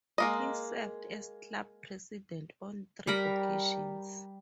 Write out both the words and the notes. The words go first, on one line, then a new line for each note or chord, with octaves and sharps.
He served as club president on three occasions.
G#3 A#3 D#5
G3 A#4 A#5 B5